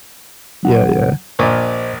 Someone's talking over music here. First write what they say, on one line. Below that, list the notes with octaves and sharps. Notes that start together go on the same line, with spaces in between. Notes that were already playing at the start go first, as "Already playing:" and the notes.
Yeah, yeah.
F#3 F#5
A#1 A#2 C5 D#5